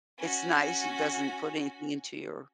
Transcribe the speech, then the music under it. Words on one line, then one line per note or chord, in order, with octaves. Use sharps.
it's nice, it doesn't put anything into your
C#4 F#4